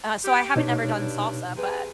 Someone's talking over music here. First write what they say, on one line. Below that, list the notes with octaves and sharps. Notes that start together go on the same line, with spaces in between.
So, I haven't ever done salsa, but
G4
G2 B2 D4 D#4 C#5
C3 G#4 B4